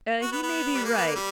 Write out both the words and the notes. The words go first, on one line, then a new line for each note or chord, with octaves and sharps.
He may be right.
F#4
B3
B3
G3
A#3
B3
A#3
G3